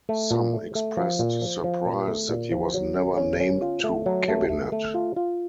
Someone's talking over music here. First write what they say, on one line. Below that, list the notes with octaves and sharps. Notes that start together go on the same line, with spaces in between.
Some expressed surprise that he was never named to cabinet.
A3
A#2
A3
A3
F3
A#2
F3
F3
A#2
A3
A#2
F3
F#3
C#4
C#4
C#4
F4
A3
F#3
A3
A3
A3
F4
F4